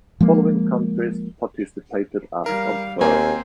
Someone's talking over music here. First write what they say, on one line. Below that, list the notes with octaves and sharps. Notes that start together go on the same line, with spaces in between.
Following countries participated as observers.
F3 G#3 A#3
G3 A#4 F5
D#2 A#3 C4 C5 G#5 A#5